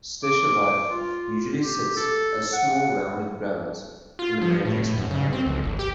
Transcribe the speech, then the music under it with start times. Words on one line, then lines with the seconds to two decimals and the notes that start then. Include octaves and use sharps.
Stishovite usually sits as small rounded gravels in a matrix of other minerals.
0.23 D6
0.90 F4
1.62 G4
1.97 A4
2.53 F#5
4.19 F4
4.42 F3
4.65 A2
4.82 A2
4.98 F#2
5.11 C#3
5.33 C4
5.46 C#2
5.64 G#1
5.79 G4